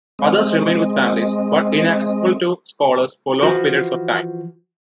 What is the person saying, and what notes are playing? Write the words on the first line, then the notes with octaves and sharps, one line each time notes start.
Others remained with families, but inaccessible to scholars for long periods of time.
G#3 C4 D#5
E3 F3 F#4